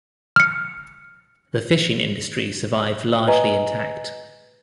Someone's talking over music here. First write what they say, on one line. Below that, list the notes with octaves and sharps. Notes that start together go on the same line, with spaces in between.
The fishing industry survived largely intact.
F6 C#7
B4 D#5 G#5 A#5